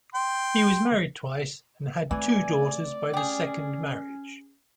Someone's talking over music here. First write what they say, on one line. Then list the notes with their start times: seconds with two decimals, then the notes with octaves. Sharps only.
He was married twice and had two daughters by the second marriage.
0.15 G5 C6
2.11 E3 A3 C4 D5 G#5
3.14 C#4 G4 G#4